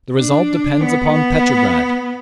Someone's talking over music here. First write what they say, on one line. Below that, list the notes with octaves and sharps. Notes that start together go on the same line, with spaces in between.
The result depends upon Petrograd.
D4
B3
B3